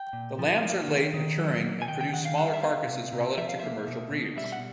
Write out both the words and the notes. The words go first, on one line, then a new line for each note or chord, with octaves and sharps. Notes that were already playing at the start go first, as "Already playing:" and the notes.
The lambs are late maturing and produce smaller carcasses relative to commercial breeds.
Already playing: G5
A#2
F3
A#3
D#3
D#3
F#3
A#3
G#5
D#3 G5
G5
D#3 F#5
F5
G3 F#5
F5
E5
B3 F5
C3
C3
F3 E5
F5
A#3 E5
B2
B2
G3 E5
F#5